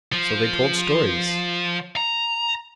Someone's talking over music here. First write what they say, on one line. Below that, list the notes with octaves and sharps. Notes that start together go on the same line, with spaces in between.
So they told stories.
F3
A#5